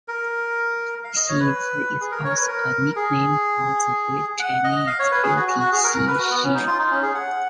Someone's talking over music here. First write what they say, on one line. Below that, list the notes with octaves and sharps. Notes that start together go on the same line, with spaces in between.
Xizi is also a nickname for the great Chinese beauty Xi Shi.
A#4
F5
D#5
C#5
B4
G#4
A#4
C#5
A#4
B4
A#4
G#4
F#5
D#5
F5
C#5
B4
G#4
F#4
F#4
F#4
G#4
A#4
A#4
B4
F#4
B3
C#4
D#4
F4
D#4
C#4
G#4
F#5